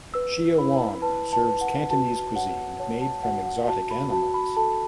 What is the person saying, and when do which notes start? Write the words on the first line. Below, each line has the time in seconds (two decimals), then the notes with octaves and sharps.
Shia Wong serves Cantonese cuisine made from exotic animals.
0.14 B4 E6
0.58 E4 B5
1.02 B4 A5
1.33 A5
1.47 B4
1.61 F#5
1.90 F#4 A5
2.36 C#5 F#5
2.80 C#5 A5
3.02 A5
3.24 F#4 F#5
3.46 F#5
3.67 F#4 A5
3.91 B5
4.12 F#4 A5
4.34 B5
4.57 A4 A5